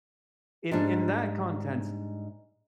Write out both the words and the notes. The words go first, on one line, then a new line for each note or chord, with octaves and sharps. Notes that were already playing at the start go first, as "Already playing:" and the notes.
in in that contents
G#2 G3 D4